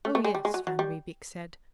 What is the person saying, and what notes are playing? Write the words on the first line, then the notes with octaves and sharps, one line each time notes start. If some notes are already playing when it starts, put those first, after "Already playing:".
"Oh, yes," van Riebeek said.
A3
A3
G#3
G3
G#3
F#3
F#3
G3